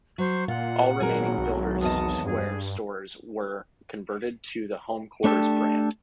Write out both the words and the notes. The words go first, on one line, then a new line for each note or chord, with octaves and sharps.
All remaining Builders Square stores were converted to the Home Quarters brand.
F#3 C5 C#6
A#2 F4 F#5
G#1 F#3 G#4 A#4
B1
E2 D#5 A5 D#6
G2 G#4
A3 D4 G4 A4